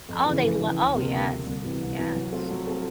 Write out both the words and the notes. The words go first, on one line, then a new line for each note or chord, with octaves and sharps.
Oh, they lo Oh, yes. Yes.
F2
C#3 E3
F2
C#3 E3
D2
C3 F3 A#3
D2
C3 F3 A#3
C2
C3 E3
C2
C3 E3
F#3
A3 C4 F4 A4
F#3
A3 C4 F4 A4